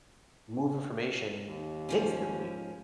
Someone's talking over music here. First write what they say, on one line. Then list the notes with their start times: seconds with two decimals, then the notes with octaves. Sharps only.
move information instantly,
1.46 D#2
1.89 G#2 F3 C#4